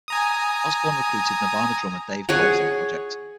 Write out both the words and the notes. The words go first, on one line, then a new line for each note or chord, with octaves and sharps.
Osborne recruited Nirvana drummer Dave Grohl for the project.
G#5 A#5 D#6
G#4 C#5 F#5